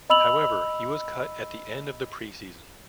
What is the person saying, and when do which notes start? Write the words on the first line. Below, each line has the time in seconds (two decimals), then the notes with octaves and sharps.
However he was cut at the end of the preseason.
0.10 D#5 B5 E6 F7 F#7